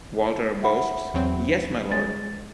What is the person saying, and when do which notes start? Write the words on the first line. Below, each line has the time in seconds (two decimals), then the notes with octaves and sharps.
Walter boasts: Yes, my lord!
0.63 E5 F#5 B5
1.14 E2 F#3 C4
1.91 G#3 A6